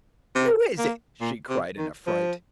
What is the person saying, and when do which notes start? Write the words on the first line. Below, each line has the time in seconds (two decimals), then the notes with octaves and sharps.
"Who is it?" she cried in affright.
0.35 C3
0.78 A#3
1.21 A#2
1.49 C3
1.78 D#3
2.07 F3